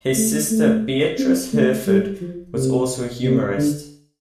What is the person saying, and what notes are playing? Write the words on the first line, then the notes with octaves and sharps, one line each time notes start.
His sister Beatrice Herford was also a humorist.
A3
A3
C4
A3
G3
F3
C3
C3
D3